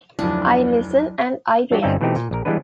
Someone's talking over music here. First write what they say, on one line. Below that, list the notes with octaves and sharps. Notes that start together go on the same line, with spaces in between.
I listen and I react.
F1 D2 F3 F#3 D4 E4
F#3 D4 F#4 G4
G1 G3 C4 C#4 D#4 E5
B2 E3 A3 C4 D#4 G4
A#2
A#1 A#4
E3 G3 G#3 B3 D4 B4